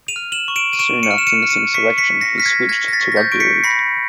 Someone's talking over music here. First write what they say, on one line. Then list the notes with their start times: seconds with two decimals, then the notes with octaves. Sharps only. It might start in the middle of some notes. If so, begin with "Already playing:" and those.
Soon after missing selection he switched to rugby league.
0.08 D#7 F7
0.16 F6
0.32 E7 F#7
0.48 C#6
0.56 D7 E7
0.73 D#7
0.79 C#6 D7 E7
1.03 C#7 D#7
1.11 F6
1.18 E7
1.27 C#7 D#7
1.43 F6
1.50 C#7 D#7
1.74 C#6 B6 C#7
1.98 B6 C#7
2.06 C#6
2.21 A#6 C7
2.38 F6 B6
2.46 G#6 A#6
2.69 F6 G#6 A#6
2.88 A#6
2.93 A6 B6
3.01 C#6
3.12 A#6
3.16 G6 A6
3.32 C#6 D7
3.40 B6 C#7
3.64 B5 A#6 C7